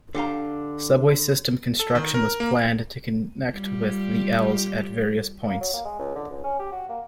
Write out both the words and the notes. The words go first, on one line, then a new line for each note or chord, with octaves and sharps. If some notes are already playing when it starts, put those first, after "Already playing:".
Subway system construction was planned to connect with the els at various points.
D3 G4 F5 A#5
A4
D#3
A#4
A#3
G3 F4 G4
A#3
F#3
A#3
G#3
C#2
D3
C#2
C#4
G4
F#4
A#3